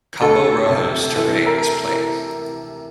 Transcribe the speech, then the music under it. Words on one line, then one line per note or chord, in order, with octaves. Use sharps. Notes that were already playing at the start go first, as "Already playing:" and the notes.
Cabo Rojo's terrain is plain.
D2 A4
C3
E3 A4
A#4